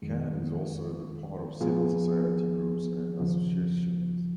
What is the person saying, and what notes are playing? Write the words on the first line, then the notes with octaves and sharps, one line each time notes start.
Khan is also the part of civil society groups and associations.
F2 D#3 G#3
A#2 F3 B3 F4 G#4
D#2 C#3 F3